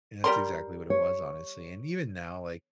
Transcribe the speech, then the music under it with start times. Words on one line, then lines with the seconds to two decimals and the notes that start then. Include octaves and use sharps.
And that's exactly what it was, honestly. And even now, like,
0.24 G3 A#4 C6
0.90 C#5